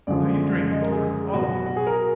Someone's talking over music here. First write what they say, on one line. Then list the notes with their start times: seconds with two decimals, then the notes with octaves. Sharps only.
"Now you drink it, dear; all of it."
0.07 F#2 D3 F3 G#3 D5
0.72 D#5
0.82 A#4
0.92 G#4
1.34 B2 F#3 F#4
1.66 F#4
1.77 G#4
1.87 A#4